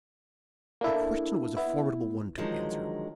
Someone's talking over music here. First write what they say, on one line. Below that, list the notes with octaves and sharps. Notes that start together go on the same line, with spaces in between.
The question was a formidable one to answer.
A#3 D4 E4 A4
B3 E4
D3 D#3 F3 F#3 G#3